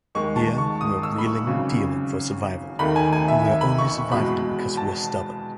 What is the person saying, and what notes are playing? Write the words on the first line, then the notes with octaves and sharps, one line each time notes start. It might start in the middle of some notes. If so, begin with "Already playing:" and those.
Here, we're wheeling and dealing for survival, and we're only surviving because we're stubborn.
D#2 D#3 G#3 C#6
A5
C#6
D#6
E6
B5
C#6
G#1 F#2 C#3
D#2 D#3 A3 B5
G#5
G#5
E5
E5
B5
C#6
E2 B2 G#3 B5
A5